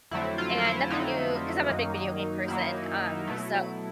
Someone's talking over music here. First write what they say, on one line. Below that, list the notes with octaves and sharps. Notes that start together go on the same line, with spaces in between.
and nothing new 'cause I'm a big video game person, um, so
F2 D3 F#3 A3 C4 E4
F4
F4
E4
F2 D3 F#3 A3 C4 D#4
F#2 D#3 F#3 A#3
F#2 D#3 F#3 A#3 E4
B2 F#3 A3